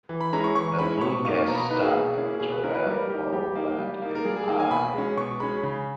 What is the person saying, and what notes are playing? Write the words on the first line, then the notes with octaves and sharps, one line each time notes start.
The flue gas stack of Teruel Power Plant is high.
E3
B5
G#3 C#4 E4 A#5
C#6
E3 C#6
G#3 C#4 E4 B5
B2 C#6
A#3 D#4 C#6
B2 A#5
B5
A#5
A#3 D#4 B4
G#4
B2
A#3 C#4 E4
B2 G#4
B4
A#3 C#4 E4 A#4
B4
G3 A#4
A#3 D#4 G4
G3 G4
A#3 D#4
G3
A#3 D#4
A#4
G3 G#4
G#4
A#3 D#4
G#5
B2 B5
G#3 C#4
B2 C#6
G#3 C#4 B5
C#3